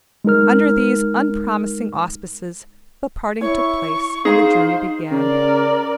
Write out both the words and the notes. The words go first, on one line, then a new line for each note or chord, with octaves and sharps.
Under these unpromising auspices, the parting took place, and the journey began.
G#3 D#4 A#4 F6
E4 C#5 C#6
D#4 G#4 C5 F5
C#3 A#4 D5